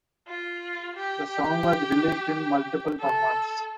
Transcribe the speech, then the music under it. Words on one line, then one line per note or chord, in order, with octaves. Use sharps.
The song was released in multiple formats.
F4
G4
G4
A4